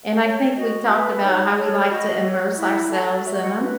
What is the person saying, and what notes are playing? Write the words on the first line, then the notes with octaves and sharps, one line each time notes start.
and I think we talked about how we like to immerse ourselves in 'em,
C#5
F#4 D#5
B4
D#4 C#5
A4 C#5
F#4 D#5
C#5
E4
A4 C#5
F#4 C#5 E5
D#5 F#5
B4